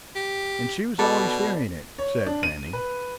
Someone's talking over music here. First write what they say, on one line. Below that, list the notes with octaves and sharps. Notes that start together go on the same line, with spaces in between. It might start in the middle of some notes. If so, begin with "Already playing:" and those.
"And she was always fearing it," said Fanny.
G4
B2 A4 D5 B5
C#5
D4
D#7
B4